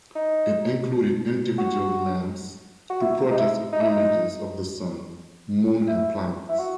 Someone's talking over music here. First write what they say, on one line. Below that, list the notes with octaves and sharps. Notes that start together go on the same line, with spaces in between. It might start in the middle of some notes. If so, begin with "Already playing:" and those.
It included individual lamps to project images of the Sun, Moon and planets.
D#4
F#4
F#4
E4
D#4
E4
D#4
E4
D#4
E4
E4
F#4